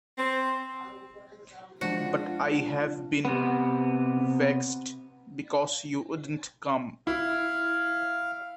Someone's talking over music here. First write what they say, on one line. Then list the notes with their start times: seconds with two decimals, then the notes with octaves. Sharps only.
But I have been vexed, because you wouldn’t come.
0.18 C4
1.81 F3 G#3 D4 F4 F#4 C5
3.25 C3 B3
7.07 E4 F5